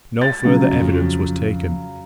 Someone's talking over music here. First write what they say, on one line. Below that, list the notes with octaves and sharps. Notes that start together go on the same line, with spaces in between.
No further evidence was taken.
A6
C#3 F#3
F2